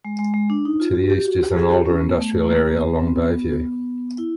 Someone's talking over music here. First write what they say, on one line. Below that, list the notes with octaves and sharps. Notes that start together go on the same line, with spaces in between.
To the east is an older industrial area along Bayview.
G#3
G#3
G#3
D4
D#4
F4
F#4
G4
F#4
G4
G#4
G4
C#4
B3
A3
A3
A#3
B3
C4
B3
E4